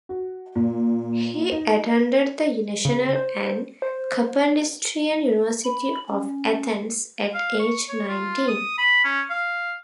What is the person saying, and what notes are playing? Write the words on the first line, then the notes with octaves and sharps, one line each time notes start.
He attended the National and Kapodistrian University of Athens at age nineteen.
F#4
A#2
D#4
C#3
C5
C5
B5
C#4
F5
C#6
C#5
F4
D#6
B5
C#4
F5